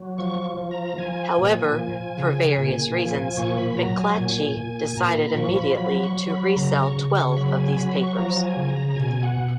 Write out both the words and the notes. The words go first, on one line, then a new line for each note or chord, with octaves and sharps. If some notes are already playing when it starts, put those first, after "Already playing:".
However, for various reasons, McClatchy decided immediately to resell twelve of these papers.
Already playing: F#3
F3 C#6
F3
A#5
F3 G#5
A#2
F3
C#3
A#2
F3
A#2 C#6
B5
B5
F#3 A#5
G#5
A#2
A#2
A#2 A#5
B5
F3 C#6
B5
F#3 B5
C#6
F#3
B5
C#3 A#5
C#6
C#3
C#6
F#3 B5
G#5
F#3 B5
C#6
F3 A#5
G#5
C#3
A#5
B2 G#5
F#5
B2